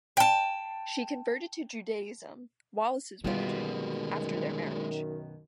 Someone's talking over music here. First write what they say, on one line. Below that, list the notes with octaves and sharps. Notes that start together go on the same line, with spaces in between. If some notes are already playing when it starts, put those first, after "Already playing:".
She converted to Judaism, Wallis's religion, after their marriage.
G5 A5
F#2 B2 D3 D#3 G3 G#3 F4 G4